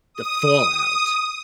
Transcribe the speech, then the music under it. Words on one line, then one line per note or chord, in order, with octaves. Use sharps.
the fallout.
D#6